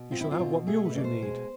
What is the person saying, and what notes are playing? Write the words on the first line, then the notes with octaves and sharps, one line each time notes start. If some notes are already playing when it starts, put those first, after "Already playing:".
You shall have what mules you need.
Already playing: B2
C4 F4
E4
F4
B2
A3 G#4
B4
B2 D5
C5
G#3